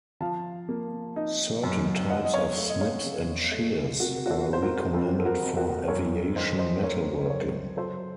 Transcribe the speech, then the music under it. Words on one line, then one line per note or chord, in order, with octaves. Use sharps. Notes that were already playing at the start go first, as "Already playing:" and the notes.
Certain types of snips and shears are recommended for aviation metalworking.
F3 F5 A5
A#3
D#4
F#2
F#2 D#5 F#5
D#5
C#5 F5
A3
D#5
C#5 F5
C#3
A3
C3 F#4 A#4
F#4
F4 A4
F2
C5
F#4 A#4
F2 F4 A4
A4
F#4 A#4
F2
F#4 A#4
F#2 A#4 C#5
D#3 C5 D#5
C5 D#5
A3 A#4 C#5
F#2 A#4 C#5
F#3 A4 C5